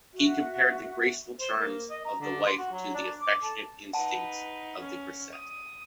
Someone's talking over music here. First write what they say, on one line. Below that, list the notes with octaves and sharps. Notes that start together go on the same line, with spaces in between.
He compared the graceful charms of the wife to the affectionate instincts of the grisette.
F#4 E5
C5
A#3
D#5
A#5
D3
C6
F#4
F#3
D4
D6
A4
D#4 B4 F#5 A5
C#4
D#6